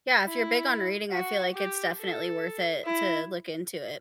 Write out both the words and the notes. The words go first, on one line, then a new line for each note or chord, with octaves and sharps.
Yeah, if you're big on reading, I feel, like, it's definitely worth it to look into it.
E4
F#4
G4
A4
E4